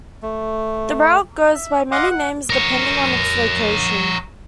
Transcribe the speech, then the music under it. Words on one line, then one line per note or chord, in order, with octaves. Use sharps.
The route goes by many names depending on its location.
A3
E5
D#5 F5 F#5 C6 D6 D#6
F#5
A#4 C#5